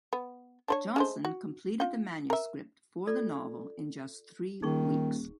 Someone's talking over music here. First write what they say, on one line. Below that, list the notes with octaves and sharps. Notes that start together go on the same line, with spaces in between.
Johnson completed the manuscript for the novel in just three weeks.
B3
D4 C5 C#5
G#3 A3 C5
F#4
F4 G5
A#4 E5
F4 A4 D5
D#1 D#3 D#4 G#4 C#6